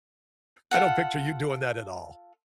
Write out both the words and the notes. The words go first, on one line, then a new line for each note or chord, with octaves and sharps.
I don't picture you doing that at all.
F4 F#4 A4 F#5